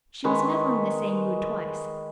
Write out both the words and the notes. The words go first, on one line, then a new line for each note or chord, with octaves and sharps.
She was never in the same mood twice.
D#3 G#3 B4 C#6